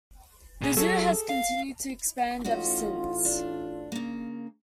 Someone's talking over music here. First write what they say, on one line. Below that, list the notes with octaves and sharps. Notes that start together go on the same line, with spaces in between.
The zoo has continued to expand ever since.
A#2 G#4
F#3 G#4 A4
F5
A1 A2 C#4 D#4 F4 F#4
D4
C#3 A#3